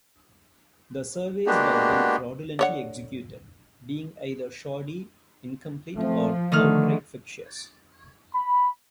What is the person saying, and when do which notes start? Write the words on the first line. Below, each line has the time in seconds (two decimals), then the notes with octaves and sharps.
The surveys were then fraudulently executed, being either shoddy, incomplete or outright fictitious.
1.47 G#3 A#3 B3 D4 F#4 G4
2.59 D3 C#5 F#5
5.97 F3 A3 C4
6.52 D3 D#3 A3 D#6 F6
8.34 B5